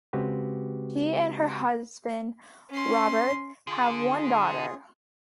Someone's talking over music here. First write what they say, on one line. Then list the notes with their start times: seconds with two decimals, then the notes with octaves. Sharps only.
She and her husband, Robert, have one daughter.
0.13 C#3 G#3 C4 F#4 G4 B4
2.70 C#4 C6
3.67 D3 F4 G#4